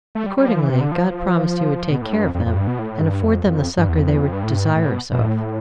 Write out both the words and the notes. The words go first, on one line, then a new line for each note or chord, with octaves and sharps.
Accordingly God promised he would take care of them, and afford them the succor they were desirous of.
A3
G3
G3
F3
E3
C3
D3
F3
B2
A2
G2
F2
F2
F2
G2
B2
A2
G2
F2
F2
G2
E2
F2
E2
F2
G2
A2
G2
A2
A2
B2
B2
A2